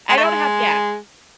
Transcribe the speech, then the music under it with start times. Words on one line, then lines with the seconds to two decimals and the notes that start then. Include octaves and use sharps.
I don't have yeah.
0.09 G#3
0.18 A3
0.24 G#3